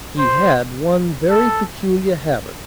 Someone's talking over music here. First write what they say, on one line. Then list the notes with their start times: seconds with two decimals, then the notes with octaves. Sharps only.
He had one very peculiar habit.
0.18 C5
1.30 A4